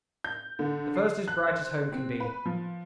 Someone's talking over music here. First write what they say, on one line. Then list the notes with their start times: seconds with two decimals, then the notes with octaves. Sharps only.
The first is bright as home can be.
0.24 G6
0.59 D3
0.96 C7
1.28 F#6
1.47 C5
1.92 C4
2.20 B4
2.46 F3